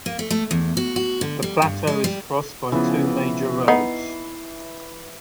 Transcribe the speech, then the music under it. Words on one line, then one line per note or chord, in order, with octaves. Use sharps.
The plateau is crossed by two major roads.
A#3
A3
A3
E2
F#4
F#4
D3
G3
G2
G#3
G3
C#3 E3 F3 B3
B3 D#4 C7